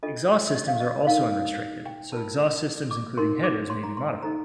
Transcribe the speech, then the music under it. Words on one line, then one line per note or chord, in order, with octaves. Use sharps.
Exhaust systems are also unrestricted, so exhaust systems including headers may be modified.
D4 F4 A4 D#5
D#5
F5
D#5
D#4 A#4 F5
G5
F4 A#4 A5
D6
D#4 A#4 C6
D6
C6
A#5
C6
D#4 A4 C5 A#5